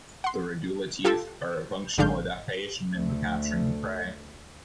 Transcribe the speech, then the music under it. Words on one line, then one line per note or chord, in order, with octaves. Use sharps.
The radula teeth are a functional adaption in the capturing of prey.
F#5 C6
F4 G4 A4
A1 G#2 D3 D4 F5 G6
D2 A3